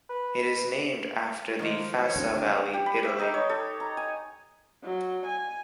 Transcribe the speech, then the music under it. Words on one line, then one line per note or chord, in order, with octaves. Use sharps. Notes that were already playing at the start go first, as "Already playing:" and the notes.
It is named after the Fassa Valley, Italy.
B4
D#3 F3 F#3 G#3 A#3
C#5
D2 G3 C4
A#3 D4
G4
B5
E5
D#4
C#5
A4
A#5
G#5
F#3
G#5